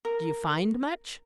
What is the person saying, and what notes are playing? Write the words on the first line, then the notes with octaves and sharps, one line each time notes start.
"Do you find much?"
A#4